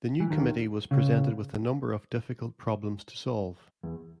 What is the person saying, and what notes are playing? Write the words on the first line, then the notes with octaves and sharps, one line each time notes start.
The new committee was presented with a number of difficult problems to solve.
E3
D#2 D#3
C#2 C#3
E2